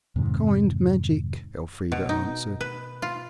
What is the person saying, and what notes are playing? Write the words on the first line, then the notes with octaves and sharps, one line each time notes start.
"Kind magic," Elfrida answered.
F2 G#2 C3 D#3
B2
D#4
B4
F4